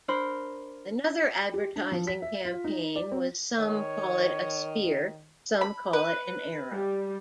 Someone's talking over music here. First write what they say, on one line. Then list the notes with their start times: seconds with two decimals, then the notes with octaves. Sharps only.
Another advertising campaign was some call it a spear, some call it an arrow.
0.08 D4 A#4 C5 B5
1.54 G4
1.76 D4
1.92 F3
2.07 B6
2.22 E5
2.45 F4
2.64 D#4
2.96 D5
3.12 C4
3.58 D#3 C#5
5.61 B5
5.93 B4
6.71 G3